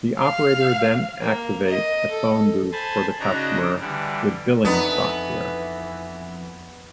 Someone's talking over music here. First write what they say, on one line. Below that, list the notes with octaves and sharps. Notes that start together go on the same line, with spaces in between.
The operator then activates a phone booth for the customer with billing software.
F5
A#3
D#5
A4
C5 G#5 A5 B5 C6
C#3 D4 D#4 F#4 C#5 A#5
D3 E3 G3
F2 E3 B3 D4 D#4 A4